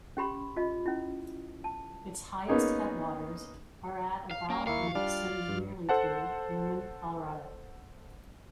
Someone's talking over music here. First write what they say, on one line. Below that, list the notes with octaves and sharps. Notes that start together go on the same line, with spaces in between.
Its highest headwaters are at about and extend nearly to Limon, Colorado.
C#4 G4 B5 C6
F4 D#5
C#4 E4
A5
A#3 B3 C#4 D#4 G#4
F5
A#3 C#4
D#2 A#3 E4 F5 C#6
G3 D4 F4 D5 F6
G2
A4 C5 F#5 A5